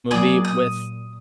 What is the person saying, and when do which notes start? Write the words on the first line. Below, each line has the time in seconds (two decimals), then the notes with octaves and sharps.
movie with,
0.11 F#3 A#3 G#4 D5 D#6
0.45 A#2 D#6